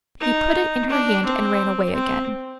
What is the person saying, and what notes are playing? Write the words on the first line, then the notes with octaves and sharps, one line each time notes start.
He put it in her hand, and ran away again.
D#4
D4
C4
C4